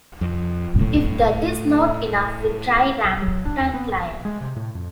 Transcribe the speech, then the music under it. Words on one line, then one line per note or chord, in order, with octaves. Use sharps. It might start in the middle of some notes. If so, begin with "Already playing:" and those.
If that is not enough will try Rampant Lion.
F2
A2
B1
F#3
D4
D#2
B3
G#1
A#1
G#3
C3
A2
F2